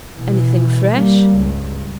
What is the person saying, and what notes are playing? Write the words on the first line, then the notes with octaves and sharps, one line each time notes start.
Anything fresh?'
B2 E3
G3 A#3
C#2 G2